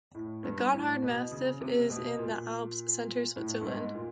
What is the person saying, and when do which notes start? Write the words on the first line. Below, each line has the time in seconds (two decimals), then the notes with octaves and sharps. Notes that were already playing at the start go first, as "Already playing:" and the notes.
The Gotthard massif is in the Alps, Center Switzerland.
0.15 A2
0.44 G2
0.73 A2
1.02 B2
1.31 C#3
1.61 C3
1.90 B2
2.19 A#2
3.36 A2
3.61 G2
3.65 G#2
3.95 A#2